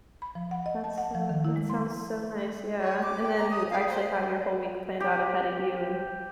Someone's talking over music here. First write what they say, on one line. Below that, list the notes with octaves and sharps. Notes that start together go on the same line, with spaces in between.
That's so that sounds so nice, yeah, and then you actually have your whole week planned out ahead of you and
B5
F3
F#5
D#5
A5
F#5
F3
D#3
E4
G#3
C6
C#5
D6
G5
A#5
D#6
F5
C5
G4